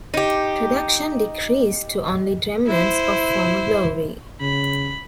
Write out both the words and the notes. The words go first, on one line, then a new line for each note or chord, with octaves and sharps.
Production decreased to only remnants of former glory.
D#4 G4
E4 C5
C#3 B5